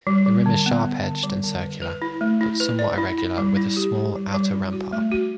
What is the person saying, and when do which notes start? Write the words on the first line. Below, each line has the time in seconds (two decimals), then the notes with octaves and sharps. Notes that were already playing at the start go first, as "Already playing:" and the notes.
The rim is sharp-edged and circular, but somewhat irregular with a small outer rampart.
0.07 G3
0.26 G3
0.46 D3
0.66 B3
0.86 B3
1.04 D3
1.23 G3
1.43 D3
1.62 B4
1.82 B4
2.02 E4
2.21 A3
2.41 E4
2.60 B4
2.79 D5
2.98 E4
3.18 E4
3.38 G3
3.57 E4
3.77 G4
3.95 G4
4.15 G3
4.34 G3
4.53 E4
4.73 F#4
4.93 A3
5.12 F#4